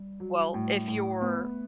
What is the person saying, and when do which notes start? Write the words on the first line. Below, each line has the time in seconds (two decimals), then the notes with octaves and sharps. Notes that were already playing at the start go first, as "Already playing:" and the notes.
Well, if you're
Already playing: G3
0.20 F#3
0.54 A2
0.88 A2
1.21 A3 B3